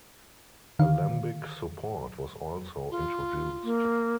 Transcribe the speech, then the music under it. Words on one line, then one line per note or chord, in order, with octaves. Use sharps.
Alembic support was also introduced.
D3 D#3 F5
F4
A#3